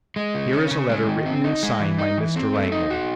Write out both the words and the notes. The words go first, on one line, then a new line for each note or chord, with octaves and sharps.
Here is a letter written and signed by Mr. Langmore.
G#3
C#3
C#4
C#3
G#3
D#3
C4
D#4
G#3
E3
D#4
E3
C4
A3
D#4
F#4